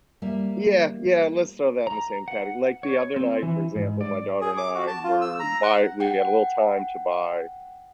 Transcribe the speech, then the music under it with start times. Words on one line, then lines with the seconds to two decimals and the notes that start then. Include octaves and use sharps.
Yeah, yeah, let's throw that in the same categ like the other night, for example, my daughter and I were bi we had a little time to bi
0.22 G3 A#3 E5
1.87 A#5
2.28 F#5
2.83 C#5
3.16 C4
3.43 E3
3.76 G#2
4.01 D5
4.41 G#4
4.57 D6
4.74 F#4
4.87 A5
5.04 F4
5.21 E6
5.40 A#5
5.63 F#5
6.00 F#5 G5